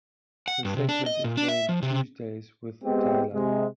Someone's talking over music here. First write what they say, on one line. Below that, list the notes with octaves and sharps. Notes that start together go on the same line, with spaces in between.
The segment is named "Tuesdays With Tyler".
F#5
G2
C3
D4
D#5
A#2
D4
E5
F3
C3
G#3 B3 C4 G4
C3 G#3